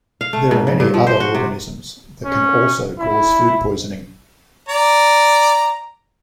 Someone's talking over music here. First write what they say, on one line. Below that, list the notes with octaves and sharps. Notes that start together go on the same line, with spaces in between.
There are many other organisms that can also cause food poisoning.
F5
A3
G#2
C#3
G2
F3
C5
F#4
C3
C#4
E4
D5 A#5